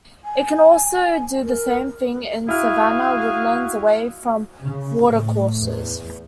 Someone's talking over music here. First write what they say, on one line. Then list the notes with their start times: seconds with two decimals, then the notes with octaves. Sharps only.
It can also do the same thing in savanna woodlands away from watercourses.
0.25 G#5
1.44 A#4
2.49 E4 F#4 G#4 F5 F6
4.61 C#3
5.03 A2
5.55 E2